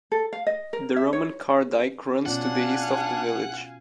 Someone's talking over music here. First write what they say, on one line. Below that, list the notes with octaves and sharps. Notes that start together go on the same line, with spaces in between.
The Roman Car Dyke runs to the east of the village.
A4
F5
D#5
A#4
E5
C#5
B2 C#4 D4 F4 F5 F#5 G#5